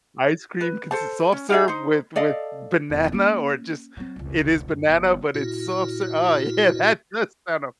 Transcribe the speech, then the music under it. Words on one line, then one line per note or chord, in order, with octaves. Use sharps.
Ice cream consists of soft serve with with banana or just it is banana, but it's soft serve oh, yeah. That does sound o
B4
A4 C5 A5
C#4
D#4 F#4 G#4 E5
D#4 C5
A4 D5 D#5 F5
E1
A#3 C#4
F#3 C4
F1 C#2
F#2
G1 E3
A#2 E4 F#4